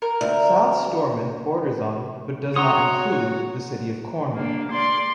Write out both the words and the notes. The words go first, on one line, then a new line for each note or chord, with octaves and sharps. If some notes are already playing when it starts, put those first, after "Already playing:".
South Stormont borders on, but does not include, the city of Cornwall.
A#4
D2
F#4 C#5 F#5 A#5 C6 D#6
A#3 D4
D5 C6